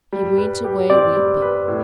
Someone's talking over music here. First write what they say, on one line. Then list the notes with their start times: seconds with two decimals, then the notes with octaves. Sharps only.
He went away weeping.
0.13 G3
0.38 B4
0.64 G4
0.90 C4 D5
1.16 G3
1.42 B4
1.68 A2